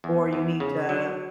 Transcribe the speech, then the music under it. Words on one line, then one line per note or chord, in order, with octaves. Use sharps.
or you need to,
E2
E2
C#3
F#3